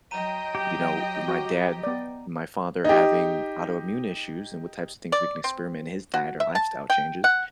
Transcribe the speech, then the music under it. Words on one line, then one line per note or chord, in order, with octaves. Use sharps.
you know, my dad, my father, having autoimmune issues and what types of things we experiment in his diet or lifestyle changes
F#3 D#5 G5 A#5 D#7
G4
F#4
B3 D5
D#4 G4
D5
C4
F#4
E5
A5
G5
F#5